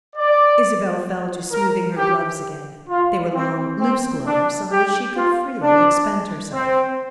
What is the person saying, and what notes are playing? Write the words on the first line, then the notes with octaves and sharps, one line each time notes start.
Isabel fell to smoothing her gloves again; they were long, loose gloves on which she could freely expend herself.
D5
A#4
G4
F4
C4
C4
D4
G4
F4
D4
C4